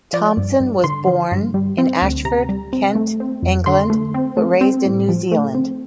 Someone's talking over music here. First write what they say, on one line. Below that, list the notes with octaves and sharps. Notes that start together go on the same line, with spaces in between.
Thompson was born in Ashford, Kent, England, but raised in New Zealand.
F3 D5
G2
G2
D3 C6
F3
G2
G3
C4
D2
C3 A#5
G3
C4
A3
C4
F2
D3 C6
A3
C4
A3
C4
A2
F3
A3
C4